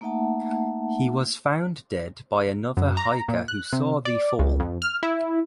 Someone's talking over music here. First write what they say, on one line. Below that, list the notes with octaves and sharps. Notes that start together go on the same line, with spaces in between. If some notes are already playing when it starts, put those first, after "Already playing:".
He was found dead by another hiker who saw the fall.
A3 A#3 D#4 E5 F#5 A5
F#2
A#5
A#2
F#6
C3
D5
C#2
F2
F6
E4